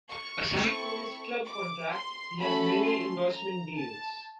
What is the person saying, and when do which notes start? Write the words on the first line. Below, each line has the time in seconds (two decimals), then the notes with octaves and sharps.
Aside from his club contract, he has many endorsement deals.
0.08 C#6
0.54 C4 E4 A4
1.45 D6
1.92 C6
2.37 A3 C#4 F#4 A4 B5
2.84 C6
3.29 A#5
3.75 A5